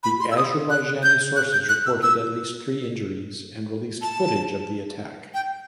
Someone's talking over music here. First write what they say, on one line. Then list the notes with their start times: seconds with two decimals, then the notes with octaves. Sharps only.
The Azerbaijani sources reported at least three injuries and released footage of the attack.
0.04 B5
0.20 C6
0.32 E6
0.37 D#6
0.71 F#6
1.03 G6
1.36 F#6
1.53 G6
1.69 F#6
1.86 E6
2.03 E6
4.02 A5
5.34 G5